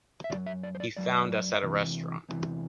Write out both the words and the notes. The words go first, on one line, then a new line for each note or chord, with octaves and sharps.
He found us at a restaurant.
E5
F#2 F#3 D5
E5
D5
C5
D5
F#2 F#3 D5
E2 C3 E3
E2 C3 E3